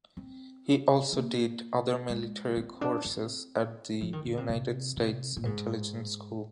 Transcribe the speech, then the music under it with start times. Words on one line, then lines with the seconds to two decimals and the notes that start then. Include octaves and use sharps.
He also did other military courses at the United States Intelligence School.
0.17 C4
1.13 A#3
2.09 G#3
2.57 C4
2.81 D4
3.05 C4
4.01 F3
4.13 D#3
4.25 D3
4.37 C3
4.49 C3
4.97 C3
5.37 A#2
5.45 G#2